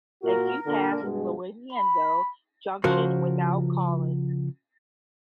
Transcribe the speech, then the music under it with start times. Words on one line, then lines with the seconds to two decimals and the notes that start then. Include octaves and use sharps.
A few passed Llandudno Junction without calling.
0.22 A#2 F4 F#4 A#4
0.66 A#2 D3
1.02 G2 B2 G#3
1.73 B5
2.84 C#3 F3 F#4 A#4 C5